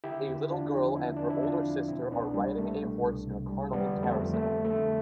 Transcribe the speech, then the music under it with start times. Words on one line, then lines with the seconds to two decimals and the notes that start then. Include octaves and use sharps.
A little girl and her older sister are riding a horse in a carnival carousel.
0.04 D3 E4 G4
0.28 E2
0.50 E2 D4 F4
0.73 F3
0.96 D3 C4 E4
1.17 E2 D4
1.30 E4
1.42 E2 D4 F4
1.66 F3
1.88 B2 C4 E4
2.11 C2 B3 D4
2.34 C2 G3
2.58 G3 A3
2.80 B2
3.03 C2
3.26 C2
3.49 G3
3.72 D3 G3 B3
3.96 F2
4.03 A3 C4
4.19 F2
4.34 A3
4.42 F3
4.65 D3 A3